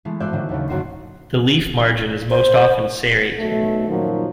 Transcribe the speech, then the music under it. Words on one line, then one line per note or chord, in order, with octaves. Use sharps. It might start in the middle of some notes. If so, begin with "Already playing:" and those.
The leaf margin is most often serrate.
E3 G#3 A3 B3
G#1 G2 D5 E5 F#6 G6
A2 D3 D#3 F#3 A#3
D#2 C#3 A3
A1 F#2 F#4 A#4 C6
C5
B1 A3
F#2 A#2 D#3 F3 F#3